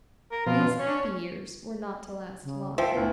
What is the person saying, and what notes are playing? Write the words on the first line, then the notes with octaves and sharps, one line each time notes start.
These happy years were not to last long.
A#4
B2 F3 F4
C#4 C#5
C#3
F3 A#4 E5 G5
D2 B3 E4